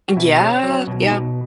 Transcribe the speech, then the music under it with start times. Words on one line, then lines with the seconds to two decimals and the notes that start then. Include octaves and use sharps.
Eh, g yeah, yeah.
0.08 F#4
0.16 B2 E4
0.40 C#4 G#4
0.63 F#3
0.71 C#4
0.87 B2
1.02 D#4
1.11 B2